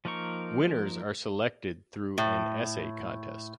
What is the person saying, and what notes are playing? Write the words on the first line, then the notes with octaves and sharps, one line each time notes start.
Winners are selected through an essay contest.
F3 A#3 D#4 A#4 C#6
A2